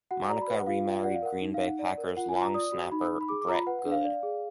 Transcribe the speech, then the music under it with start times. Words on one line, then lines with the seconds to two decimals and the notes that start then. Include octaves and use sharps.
Monica remarried Green Bay Packers long snapper Brett Goode.
0.11 F#4 F#5
0.29 D5 A#5
0.42 B5
0.48 B4
0.54 F#5
0.67 F4 F5
0.85 F4
1.04 D5 F#5
1.14 F5
1.22 A#4 F#5
1.41 D#4
1.54 F5
1.60 D#4
1.66 F#5
1.79 D5
1.98 A#4
2.17 F4 F#5
2.29 G#5
2.35 F4
2.41 A#5
2.54 D5 D#6
2.72 F#4
2.91 D#4 B5
3.10 D#4
3.21 B5
3.29 G#4 D6
3.42 D6
3.48 F4 A#5
3.54 B5
3.67 B4 F#5
3.79 F#5
3.85 D4
3.92 F5
4.04 D5
4.23 G#4